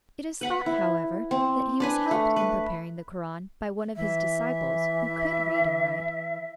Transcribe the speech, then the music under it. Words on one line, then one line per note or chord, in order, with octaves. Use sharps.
It is thought, however, that he was helped in preparing the Koran by one of his disciples who could read and write.
B4 F#5 B5
E4
C4
D4 B4 G#5
A3
B4
E3 E5